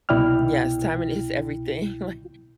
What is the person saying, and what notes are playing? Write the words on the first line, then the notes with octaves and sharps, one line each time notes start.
Yes, timing is everything, like
C2 B2 E4 D5 G5 F6